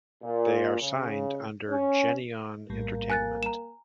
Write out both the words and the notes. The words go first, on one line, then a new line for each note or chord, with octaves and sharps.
They are signed under Geneon Entertainment.
A#2
C#3
C#4
A#1 A2 G3 A#3
G#5 F#6 A6
A#5 E7